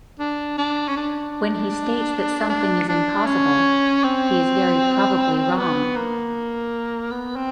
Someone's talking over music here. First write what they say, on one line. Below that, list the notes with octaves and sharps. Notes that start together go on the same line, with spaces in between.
When he states that something is impossible, he is very probably wrong.
D4
D4
C#4
D4
D4
D4
C#4
C4
B3
A#3
B3
C4